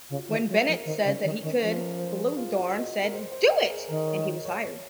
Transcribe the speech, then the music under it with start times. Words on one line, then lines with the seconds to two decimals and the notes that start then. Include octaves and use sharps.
When Bennett said that he could, Bluhdorn said "do it" and he was hired.
0.10 C#3 F4
0.18 F#4
0.25 F4
0.29 D#3
0.35 G#4
0.49 F#3
0.61 A#4
0.68 F3
0.85 D#3 C5
1.00 D#4
1.05 C#3 C#4
1.24 D#3
1.43 D#3 C#4
1.61 F3 C#4
1.80 A#4
1.99 C5
2.18 G#4
2.37 F4
2.56 F#4
2.75 D#5
3.04 A#4
3.13 C5
3.32 C5
3.51 A#4
3.70 G#4
3.89 D#3 A#4
4.07 C#5
4.26 D#5
4.45 C#5
4.64 C#5